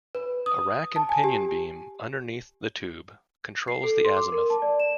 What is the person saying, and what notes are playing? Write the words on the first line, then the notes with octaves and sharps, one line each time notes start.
A rack and pinion beam underneath the tube controls the azimuth.
B4
D#6
A5
G#5
G4
C7
A4
C6
D6
A#4
A5
D5
E7